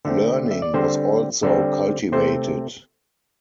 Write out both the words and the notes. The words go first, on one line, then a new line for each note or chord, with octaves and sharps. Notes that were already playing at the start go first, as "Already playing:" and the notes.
Learning was also cultivated.
D3 A3 C4 A4
E5
D5
D3 G3 C4 C5
D3 G3 C4 A4
C3 A3 C4 C5